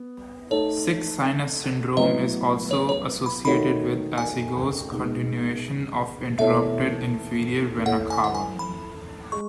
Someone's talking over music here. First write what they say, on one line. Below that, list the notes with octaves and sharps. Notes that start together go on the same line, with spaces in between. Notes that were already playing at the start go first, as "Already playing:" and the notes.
Sick sinus syndrome is also associated with azygos continuation of interrupted inferior vena cava.
Already playing: B3
A3 D#4 A4 C#5
A2 F#3 B3 E4 B4 D#5
C#5
C#5
B5
D#3 A3 D#4 F#4 C#5 B5
G#5
B2 G#3 B3 D#4
B2 A3 E4 A4 C#5 E5
A3 E4 A4 C#5 F#5
G#5
F#5
G#5
B5
G#3 C#6